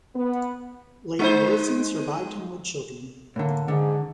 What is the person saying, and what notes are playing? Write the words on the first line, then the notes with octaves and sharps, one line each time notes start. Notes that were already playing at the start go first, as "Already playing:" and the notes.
Lady Wilson survived him with children.
B3
G#3 D#4 C5
A2 D3 A#3
G#2 D3